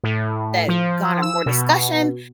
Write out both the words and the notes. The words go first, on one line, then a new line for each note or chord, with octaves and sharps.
that garner more discussion
A2
F3
E6
B2